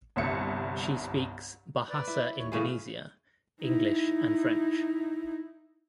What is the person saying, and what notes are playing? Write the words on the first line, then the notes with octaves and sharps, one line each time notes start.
She speaks Bahasa Indonesia, English and French.
G1 C2 G2 E5 C#7
B4 D5
E4
D#2 C#5
A2 C#3 E3 G#4
D#4 E4